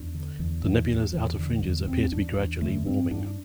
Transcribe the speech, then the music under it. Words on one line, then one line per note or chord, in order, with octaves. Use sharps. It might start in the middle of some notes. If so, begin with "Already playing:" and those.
The nebula's outer fringes appear to be gradually warming.
Already playing: E2 D4
D3
E2
E2
E2
E2
D3
E2
E2 C4
E2 D4
E2
D3 A3
G2 C4
G2 D4
D4